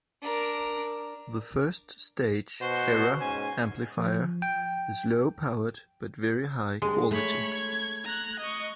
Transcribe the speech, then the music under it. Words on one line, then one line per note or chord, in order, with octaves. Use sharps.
The first stage 'error' amplifier is low powered but very high quality.
D4 A#4
B2 F#4 C5
G#2 C#4 G#5
F3
G5
C3 G3 G#3 D4
A3 C#5 B5
G#6
A#5 F#6
D#5 C#6